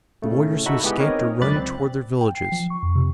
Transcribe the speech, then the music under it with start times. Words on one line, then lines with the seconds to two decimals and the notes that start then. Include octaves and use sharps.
The warriors who escaped are running toward their villages.
0.22 A2 C#3 A3
0.66 D#4 F#4 A4 E5 F#5 B5
0.83 G#3 B3 E4 G4 G#4 B4
0.99 C4 D#4 A#4 C#5 D#5
1.41 C#2 F#2 D5 B5 F#6 A6
1.56 C4
2.21 G5
2.35 C7
2.52 F3
2.70 C#6
2.83 F2
2.95 C3